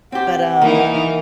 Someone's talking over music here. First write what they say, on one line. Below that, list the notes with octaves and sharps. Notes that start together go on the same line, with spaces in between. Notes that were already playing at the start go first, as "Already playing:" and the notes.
but, um
C4 G4 F#5
E3 A#3 D#4 A#4